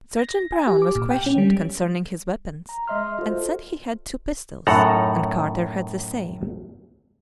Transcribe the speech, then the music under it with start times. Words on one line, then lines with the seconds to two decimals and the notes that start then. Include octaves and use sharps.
Sergeant Brown was questioned concerning his weapons, and said he had two pistols and Carter had the same.
0.19 A#6
0.52 G#5
0.67 G4
0.82 D6
0.95 A#2
1.11 G5
1.26 C#4
1.38 G3
2.69 A#5
2.88 G#3 D#5 E5 C6 F6
3.19 F4 F#4 A4 C5
4.67 F#2 A2 D#4 A4 F#5 A#5